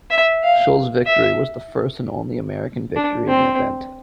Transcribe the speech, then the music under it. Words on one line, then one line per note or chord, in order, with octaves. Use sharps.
Schul's victory was the first and only American victory in the event.
E5
F5
E5
D4
C4